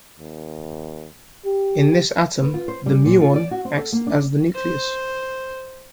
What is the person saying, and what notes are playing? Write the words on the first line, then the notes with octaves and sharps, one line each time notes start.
In this atom, the muon acts as the nucleus.
D#2
G4
B4
F4
C5
G3
A#2
F4
D5
F#4
C4
A4
A#3
D4
C5